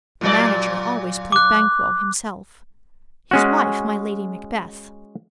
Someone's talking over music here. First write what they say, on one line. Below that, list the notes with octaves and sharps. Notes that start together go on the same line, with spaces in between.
The Manager always played BANQUO himself, his Wife my LADY MACBETH.
A#2 F#3 D5
D6 F#6
G#3 C#4 F#4